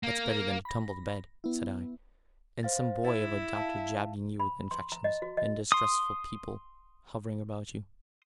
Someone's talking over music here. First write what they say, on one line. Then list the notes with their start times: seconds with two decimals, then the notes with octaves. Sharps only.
"That's better than a tumbled bed," said I, "and some boy of a doctor jabbing you with injections, and distressful people hovering about you."
0.03 A#3
0.65 B5 A#6
1.44 B3 E4
2.63 C5 F5 A6
3.05 E4 A6
3.55 F5 A5
4.40 B5
4.71 C6
4.92 A#5
5.04 D#5
5.22 F#4
5.37 D#5
5.72 C6 D#6